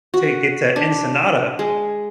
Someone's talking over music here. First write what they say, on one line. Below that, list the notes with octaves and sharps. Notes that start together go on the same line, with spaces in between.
to get to Ensenada
F#4
D4
G#3